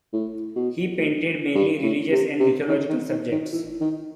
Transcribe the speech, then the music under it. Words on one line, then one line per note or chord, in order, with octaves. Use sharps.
He painted mainly religious and mythological subjects.
A2
B2
A2
G2
A2
C3
C3
D#3
D#3
D#3
D#3
E3
D#3